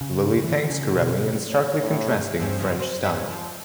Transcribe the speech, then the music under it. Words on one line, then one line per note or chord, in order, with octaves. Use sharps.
Lully thanks Corelli in starkly contrasting French style.
C#3
E3
C#3
B2 D3
C#5
A2
G2 C4 C#4
C#3 F3 F#4
F#4 C5
C#4 B4 E5
F3